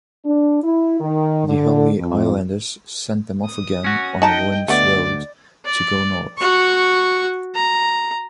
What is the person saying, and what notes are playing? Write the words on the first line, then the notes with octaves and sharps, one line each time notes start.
The Holy Islanders send them off again on Wind's Road to go North.
D4
E4
D#3
D3
F2
D#6
C#4 F#4
D#4 D#5 G5 A5 A#5
D2 A3 B3 D5
D5
F#4 C#6
A#5